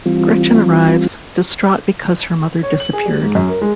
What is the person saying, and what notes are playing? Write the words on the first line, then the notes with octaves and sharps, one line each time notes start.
Gretchen arrives, distraught because her mother disappeared.
E3 G3 C4 F4
C#5
F#7
G#4
G3
G#2
F#2
A#4
G#3